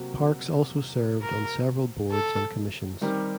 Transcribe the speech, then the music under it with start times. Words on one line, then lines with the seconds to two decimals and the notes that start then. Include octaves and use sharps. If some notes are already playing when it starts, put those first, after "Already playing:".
Parks also served on several boards and commissions.
Already playing: C3 F#3 A#3 F#4
1.22 A#4
2.12 A4
3.01 D#3 G3 C4 G4 A#4